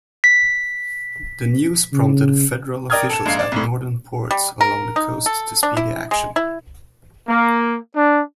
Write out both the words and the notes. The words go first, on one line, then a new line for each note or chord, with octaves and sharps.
The news prompted Federal officials at northern ports along the coast to speedy action.
B6
C#3
A#4 D5 G5 D#6 F6 G#6
A4 E7
A#1 G#2 F5 G#6 C7
D5
C2 A2
G3
A#4
D#4
A4
D4
E4
G#3
E4
A#3
D4